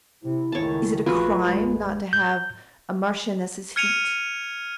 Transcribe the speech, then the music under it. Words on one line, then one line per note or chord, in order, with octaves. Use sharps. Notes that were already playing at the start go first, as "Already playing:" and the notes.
"Is it a crime not to have a marchioness's feet?"
C3 E4
C#2 D#3 A3 C#5 A5
A#1 F3 A3 F4 F#4 G#4 B4
A1 F2 G#3
G6
F6 G#6 C#7 D#7 F7